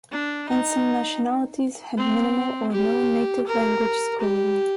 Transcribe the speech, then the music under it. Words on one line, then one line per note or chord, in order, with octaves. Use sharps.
And some nationalities had minimal or no native-language schooling.
D4
D#4
C4
G4
A#4
G4